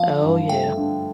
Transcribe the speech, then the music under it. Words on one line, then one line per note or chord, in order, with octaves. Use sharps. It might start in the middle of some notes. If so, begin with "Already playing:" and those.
Oh, yeah.
Already playing: F3 F5
G2
A3 G5
D3